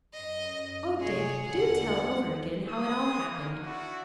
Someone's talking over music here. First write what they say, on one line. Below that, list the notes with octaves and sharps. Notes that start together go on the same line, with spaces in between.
"Oh, Dick! do tell over again how it all happened."
F#2 D#5
C3 G#4 C#5
E2 D3 F#5
G#3 C4 G#4 D#6
A#3
D4 E4 F#4